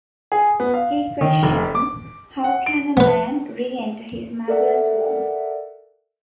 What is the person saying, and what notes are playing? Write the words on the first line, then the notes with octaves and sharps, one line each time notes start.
He questions: How can a man re-enter his mother's womb?
G#4
B3
F5
D#3
F1
D6
F#5
D7
B3 B4
A4 A#4 D5 E5 F#5